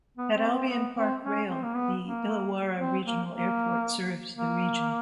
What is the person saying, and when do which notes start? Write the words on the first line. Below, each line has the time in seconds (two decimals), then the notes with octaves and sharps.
At Albion Park Rail the Illawarra Regional Airport serves the region.
0.17 B3
0.35 C4
0.53 C4
0.70 B3
0.96 C4
1.23 C#4
1.48 C4
1.63 A#3
1.75 B3
2.01 A#3
2.79 C4
3.04 A#3
3.31 A#3
4.35 A#3